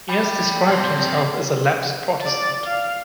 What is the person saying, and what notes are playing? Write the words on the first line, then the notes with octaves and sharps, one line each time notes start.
He has described himself as a lapsed Protestant.
G5 B5
A2 C3
D5
F5